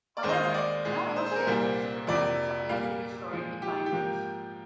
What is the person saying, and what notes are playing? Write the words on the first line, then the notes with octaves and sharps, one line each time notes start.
However, not all shapes of sugar packets are easy to be stored in binders.
D5
D#2 D#3 G#3 C5
D#5
F5
F5
D5
A#2 G#3
C5
C5
G#4
A#4
C2 A#2 G3 A#3 C5
F2 C3 F3 A#3 D5
A#2 G3 A#3 F5
A#2 F3 G#3
G4
G4
G#2 F3 A#3